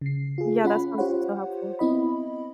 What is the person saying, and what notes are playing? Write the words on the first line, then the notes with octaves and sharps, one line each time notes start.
Yeah, that sounds so helpful.
C#3 C7
F4 G#4
C#4 F4 F#5 B5
F4 G4 C5 C#5 F#5
B3 C4 E4 D#5 B5